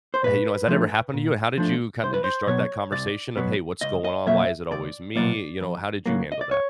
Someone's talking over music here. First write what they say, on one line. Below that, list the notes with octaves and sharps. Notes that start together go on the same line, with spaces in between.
Hey, you know, has that ever happened to you? And how did you kind did you start that conversation of, "Hey, what's going on? Why is it always me?" You know, how did you handle that?
C5
A#2 B4
F3 A3 D4
A#2
F3 A3 D4
C2 C5
B4
C5
B2 F#3 B3 C#5
C2 D5
B2 F#3 B3
C#2 D#5
D#5
B2 F#3 A#3 E5
C#2 D5
B2 F#3 A#3 D5
F2
C#3 F#3 A#3
D#5
D5
C#5